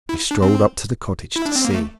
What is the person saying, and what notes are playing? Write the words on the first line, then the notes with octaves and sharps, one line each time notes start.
He strolled up to the cottage to see.
E4
D4
C4
E4
D4
C4
A#3
A3